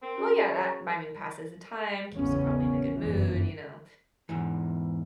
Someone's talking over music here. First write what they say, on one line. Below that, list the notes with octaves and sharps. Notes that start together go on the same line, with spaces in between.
Well, yeah, that, I mean, passes the time, keeps you probably in a good mood, you know,
C4 A#4
C#4 F#4 G#4
C#5 A#5
A1 E2 C#3 B3 C#4
G1 F#2 E3
E2 G#2 E3